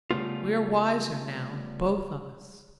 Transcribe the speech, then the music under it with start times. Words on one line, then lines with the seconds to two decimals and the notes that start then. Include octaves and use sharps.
We are wiser now both of us.
0.11 C#3 F3 G3 A3 B3 F4